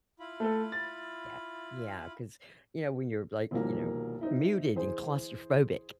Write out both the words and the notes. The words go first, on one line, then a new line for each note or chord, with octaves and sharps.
Yeah. Yeah, 'cause, you know, when you're, like, you know, muted and claustrophobic,
E4 F4 B5
A3 A4
A6
E1 C2 D#3 F3 G3 A#3
C4 D#4 E4
E3 G#4 C5